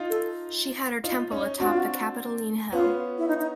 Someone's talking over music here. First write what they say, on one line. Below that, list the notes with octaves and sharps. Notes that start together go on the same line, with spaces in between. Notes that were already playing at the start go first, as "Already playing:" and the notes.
She had her temple atop the Capitoline Hill.
Already playing: D#4 F4
A4
D#4 F4
C#4 D#4
C4 D4 F#4
F4
F#4
B3 C#4 F4
E4
D#4
D#4